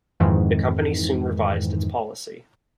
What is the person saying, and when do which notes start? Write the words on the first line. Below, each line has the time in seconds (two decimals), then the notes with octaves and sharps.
The company soon revised its policy.
0.20 F2 G#2 D#3 E3